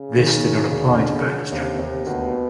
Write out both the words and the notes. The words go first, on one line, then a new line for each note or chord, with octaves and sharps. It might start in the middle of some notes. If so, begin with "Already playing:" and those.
This did not apply to bonus jackpots.
Already playing: C#3
D#3
D#3
E1
D3
D3
D#2 C3
D#2
D2 B2